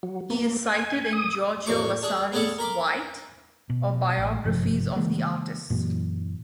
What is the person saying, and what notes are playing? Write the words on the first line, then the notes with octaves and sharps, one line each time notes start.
He is cited in Giorgio Vasari's "Vite" or biographies of the artists.
F#3
A#3
G#5
D#6
A1 F2 D4 C#5 C#6 D6
D4 G#4
B3 C#4 G#4 A4 D5 F#5
A#4 B5 C6 D6
B2
A1
G#1 G2 C3 F3
C#3 E3 G#3 A#3
F#2 A#2 E3